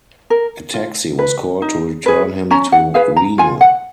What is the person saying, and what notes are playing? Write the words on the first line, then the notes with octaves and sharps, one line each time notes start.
A taxi was called to return him to Reno.
A#4
F4
B4
D#4
G#4 B4
C#4 A#5
F#5
G#4 B4 F5
A#5
F4 G#5
F#5